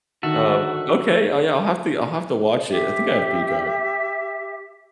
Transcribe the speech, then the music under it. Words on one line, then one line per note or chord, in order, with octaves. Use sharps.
uh, okay, I yeah, I'll have to I'll have to watch it. I think I have peacock.
D3 D#3 F#4 E5 A5
G4 E5